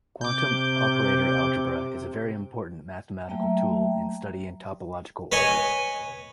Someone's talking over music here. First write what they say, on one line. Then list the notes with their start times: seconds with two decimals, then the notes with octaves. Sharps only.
Quantum operator algebra is a very important mathematical tool in studying topological orders.
0.21 C3 D6 G6
3.28 F#3 A3 A#3 E5 G5 A#5
5.32 B4 C#5 D#5 G#5